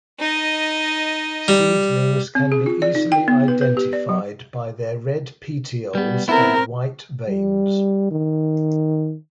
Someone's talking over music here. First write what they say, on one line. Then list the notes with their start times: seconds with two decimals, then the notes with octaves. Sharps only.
Seedlings can be easily identified by their red petioles and white veins.
0.19 D#4 D#5
1.48 G3
2.35 C4
2.52 G#4
2.66 F4
2.82 D5
2.95 D#4
3.12 G5
3.28 B3
3.48 B4
3.61 B4
3.77 G4
3.93 D5
4.09 F#3
5.95 G3 B3
6.28 B3 C4 E4 A#4
7.28 G3
8.11 D#3